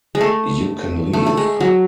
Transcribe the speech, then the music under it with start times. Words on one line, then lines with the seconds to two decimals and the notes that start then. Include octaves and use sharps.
You can leave.
0.15 G#3
0.21 A3
1.13 A3
1.27 A3
1.37 G#3
1.60 F#3